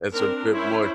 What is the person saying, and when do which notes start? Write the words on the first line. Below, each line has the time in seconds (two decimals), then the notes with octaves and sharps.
that's a bit much,
0.13 C4 D4 A#4
0.53 C#4 E4 C5